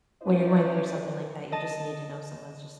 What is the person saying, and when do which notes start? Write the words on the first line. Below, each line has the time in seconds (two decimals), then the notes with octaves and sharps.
when you're going through something like that, you just need to know someone's just
0.22 C#4 E4 B4 C5 D5
1.52 D#5 A5